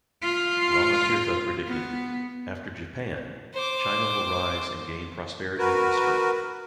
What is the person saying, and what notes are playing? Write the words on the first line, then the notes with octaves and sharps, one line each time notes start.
Rama Tirtha predicted: After Japan, China will rise and gain prosperity and strength.
F4
B3
C5 D6
F#4 A#4 B4